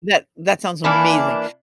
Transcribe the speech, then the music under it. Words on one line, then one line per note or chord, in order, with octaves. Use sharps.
That that sounds amazing.
E3 A#3 D4 E4